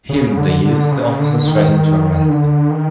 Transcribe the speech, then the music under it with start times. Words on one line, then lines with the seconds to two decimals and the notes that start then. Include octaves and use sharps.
Hearing the youth, the officer threatened to arrest him.
0.09 C#3
0.37 D3
0.65 D3
0.92 C#3
1.19 D3
1.47 D#3
2.29 D3
2.71 D#3